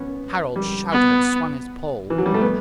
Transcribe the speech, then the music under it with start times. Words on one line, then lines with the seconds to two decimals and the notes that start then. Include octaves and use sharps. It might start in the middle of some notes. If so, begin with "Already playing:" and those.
Harald shouted and swung his pole.
Already playing: B3 C#4
0.56 G3
0.92 B3
2.10 E3
2.18 F#3
2.26 G3
2.34 A3
2.41 B3